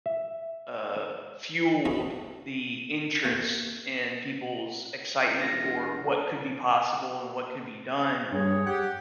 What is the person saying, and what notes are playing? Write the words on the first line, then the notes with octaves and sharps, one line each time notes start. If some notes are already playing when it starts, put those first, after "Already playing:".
uh, fueled the interest in people's excitement for what could be possible and what could be done,
E5
C#4 E4 F4 G#4 A4
D#2 B2
E1 F4 A#6
G2 G#4 C#5
G4 F#5